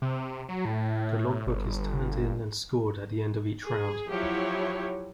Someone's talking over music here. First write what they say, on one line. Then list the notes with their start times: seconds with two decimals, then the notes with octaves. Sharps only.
The logbook is turned in and scored at the end of each round.
0.02 C3
0.49 F#3
0.65 A2
1.47 G1
3.62 G#4
4.08 F3 F#3 E4 G4 C#5